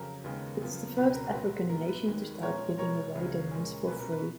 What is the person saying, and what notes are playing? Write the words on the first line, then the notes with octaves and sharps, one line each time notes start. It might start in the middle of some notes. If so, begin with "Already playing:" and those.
It is the first African nation to start giving away domains for free.
Already playing: F2 C#3 F#3 A#4
D#2 C#3 G#3 B3
F#2 C#3 F3 B3
C#2 B2 F#3 C#4 B4
A#4
A#2 F#3 A#3 B4
G#2 F#3 B3 A#4
B4
D#2 D#3 G#3
A#2 F3 G#3 C#4 A#4 C#5
B2 G#3 B3 A#4 C#5
C#2 C#3 F#3
A#2 G#3 C#4
B2 A#3 C#4 B4
A#4
B4